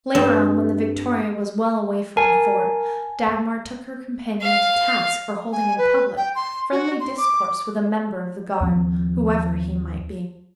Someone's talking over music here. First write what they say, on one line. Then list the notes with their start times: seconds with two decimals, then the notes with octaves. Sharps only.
Later on, when the victoria was well away from the fort, Dagmar took her companion to task for holding in public friendly discourse with a member of the guard, whoever he might be.
0.15 G2 C4
2.17 A#4 G#5 A5
4.42 F5
5.52 G#5
5.78 B4
6.17 G5
6.35 C6
6.72 F#4
7.00 C6
7.18 D6
8.60 D#2 F3 C4